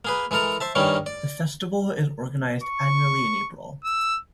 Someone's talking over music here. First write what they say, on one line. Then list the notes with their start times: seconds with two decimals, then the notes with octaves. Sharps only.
The festival is organized annually in April.
0.05 A#3 G#4 B4
0.31 E3 G#3 A4 A#4 A#5
0.60 C5 E5 A5
0.75 G2 D#3 G3 A#3 C#4 D#4
1.06 D5
2.63 C#6
3.85 E6